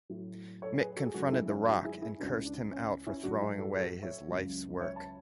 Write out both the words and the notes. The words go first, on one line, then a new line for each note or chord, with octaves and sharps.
Mick confronted The Rock and cursed him out for throwing away his life's work.
A2 F#3
A4 C#5
C#5
G#4 B4
F#4 A4
G#4
F#2 D3 G#3 F#4 A4
A4
E4 G#4
C#4 E4
D4 F#4
E4 G#4
E4 G#4
C#2 C#3 E3 D4 F#4
D4
C#4
C#4 E4
A2 F#3 D4 F#4
E4 G#4
F#4 A4
F#4 A4
C#5 E5
C#2 C#3 F#3
C#5 E5
A5